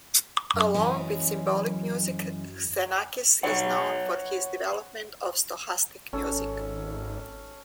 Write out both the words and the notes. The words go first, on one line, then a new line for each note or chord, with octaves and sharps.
Along with symbolic music, Xenakis is known for his development of stochastic music.
F#2
E3 G#3 C#4
B4 C#5 F#5
G#1 C#4 A4